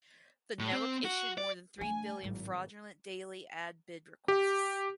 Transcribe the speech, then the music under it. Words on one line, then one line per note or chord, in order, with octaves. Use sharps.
The network issued more than three billion fraudulent daily ad bid requests.
A2
C4
F#4
D5
A3 D4 G#5
G#1 A2 F#3
G4